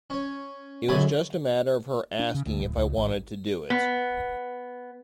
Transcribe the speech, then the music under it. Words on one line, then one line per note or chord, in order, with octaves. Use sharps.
It was just a matter of her asking if I wanted to do it.
C#4 C#5
C#2 F#2 D3 C#4 G#5 B5
D4
C#3
D2
D1
C#2
G#1
B3